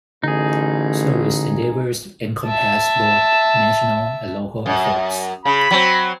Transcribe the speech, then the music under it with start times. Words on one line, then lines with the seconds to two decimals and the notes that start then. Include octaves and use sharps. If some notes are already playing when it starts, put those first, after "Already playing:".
Service endeavors encompass both national and local efforts.
0.23 A1 D3 D#4 G#4
2.44 E5 A5
4.66 F#2
5.45 C#3 B5
5.71 F#3 C4